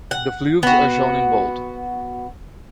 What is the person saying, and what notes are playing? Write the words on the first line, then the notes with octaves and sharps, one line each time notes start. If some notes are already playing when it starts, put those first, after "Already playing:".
The "fleuves" are shown in bold.
F#5
B3 F#4